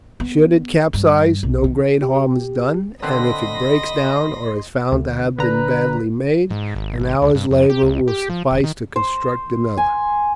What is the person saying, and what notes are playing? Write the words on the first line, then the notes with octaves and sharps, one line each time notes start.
Should it capsize, no great harm is done; and if it breaks down, or is found to have been badly made, an hour's labour will suffice to construct another.
B3
G2
B1
D#3
G4
D3 C4 B4 D#5 B5 C6 A#6
D2
D3 B4 A#5
G#2
G#1
G#1
C#2
G2
F2
G4
C#2
G4
F3
D#1
D#3
C5
G#5